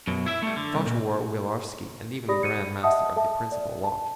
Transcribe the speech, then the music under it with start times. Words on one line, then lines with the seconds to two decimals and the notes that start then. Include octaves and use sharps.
Such were Willarski and even the Grand Master of the principal lodge.
0.07 F#2 B2
0.26 E4 E5
0.42 G3 A3
0.56 D3
0.74 C2
0.86 A#2
2.28 G4 D5 B5 D#6 A#6
2.43 C#7 D#7
2.83 D#5 E5 F#5 A5 D#6
3.16 A4 E5 A5
3.52 D5
3.84 A5